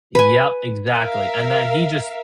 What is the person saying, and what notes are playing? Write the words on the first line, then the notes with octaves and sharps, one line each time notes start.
Yep, exactly, and then he just
B4 G#5
A#4 E5 F5